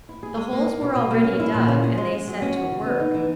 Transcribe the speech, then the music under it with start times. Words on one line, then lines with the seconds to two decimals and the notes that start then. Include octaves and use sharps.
The holes were already dug, and they set to work.
0.09 E4
0.23 G#4
0.37 G#3
0.53 A#3
0.66 D#4
0.81 B2
0.95 B2
1.11 A#3
1.24 C#4
1.40 E4
1.54 A#2
1.68 C#4
1.84 G#4
1.98 G#3
2.13 G#3
2.27 F#3
2.42 C#4
2.56 F#4
2.71 C#3
2.85 B3
3.00 D#4
3.15 E3